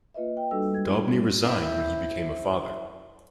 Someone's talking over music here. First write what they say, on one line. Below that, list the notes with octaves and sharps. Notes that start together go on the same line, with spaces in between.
Daubney resigned when he became a father.
A#3 F4 B4 D#5 E5
G5
G3 D4 F#4 A4 E6
G#3 G#6
E4
G3
C4 E4